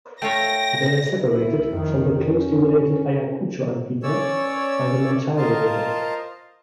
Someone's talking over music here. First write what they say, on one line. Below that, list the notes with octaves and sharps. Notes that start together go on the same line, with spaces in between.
They are separated from the closely related Ayacucho antpitta by the Mantaro river.
A3 F4 C#5 G5 A#6
E4
F2 D#3
C#4
C#4 C#5 D5 E6
F4 A#4 C5 D#5 F5 A5